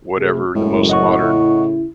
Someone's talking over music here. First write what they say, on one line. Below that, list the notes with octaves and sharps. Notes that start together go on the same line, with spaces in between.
whatever the most modern,
C3 A3 G#4
F#1 F#2 A2 G#3
D#5 F#5 C#6
C#3 E4